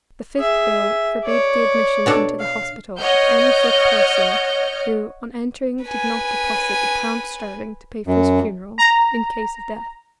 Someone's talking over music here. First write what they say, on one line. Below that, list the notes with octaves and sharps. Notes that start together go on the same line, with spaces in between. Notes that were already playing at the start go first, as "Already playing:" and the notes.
The fifth bill forbade the admission into the hospital of any sick person who on entering did not deposit a pound sterling to pay for his funeral, in case of death.
G#4 E5
C#5 D5
B2 D4 A4
F5
C#5 D#5 F#5 F6 G6
B4 G#5
F#2
A#5